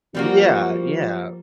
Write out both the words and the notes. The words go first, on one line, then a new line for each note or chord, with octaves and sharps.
Yeah, yeah.
F3 G3 A#3 F#4